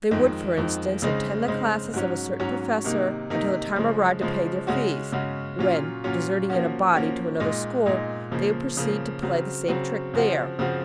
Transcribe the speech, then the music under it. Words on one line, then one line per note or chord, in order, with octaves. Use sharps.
They would, for instance, attend the classes of a certain professor until the time arrived to pay their fees, when, deserting in a body to another school, they would proceed to play the same trick there.
F2 D#3 G#3
F2 D#3 G#3
C#3 G#3 C4 D#4
C#3 G#3 C4 D#4
G#2 F#3 C#4
G#2 F#3 C#4
C3 D#3 A#3 D#4
C3 D#3 A#3 D#4
C#3 F3 G#3
C#3 F3 G#3
C#3 G#3 C#4 F#4
C#3 G#3 C#4 F#4
A#2 F#3 C#4 F4
A#2 F#3 C#4 F4
F3 A#3 C#4 F#4
F3 A#3 C#4 F#4
A#2 G#3 D#4
A#2 G#3 D#4
C#3 F3 A#3
C#3 F3 A#3
C#3 F#3 C4
C#3 F#3 C4
C#3 F3 C4 F#4
C#3 F3 C4 F#4